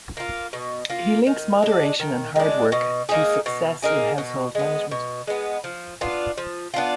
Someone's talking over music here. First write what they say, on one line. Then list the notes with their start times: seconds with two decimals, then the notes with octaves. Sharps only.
He links moderation and hard work to success in household management.
0.17 A#3 F4
0.53 B2
0.90 A#3 F4
1.27 D#3
1.62 G#3 D4
2.00 D#3
2.36 G#3 D4
2.72 B2
3.09 A#3 D#4 G#4
3.46 B2
3.82 A#3 D#4 G#4
4.18 B2
4.55 G#3 B3
4.91 B2
5.27 G#3 B3
5.64 F3
6.01 B3 D4 F4
6.38 F3
6.74 B3 D4 F4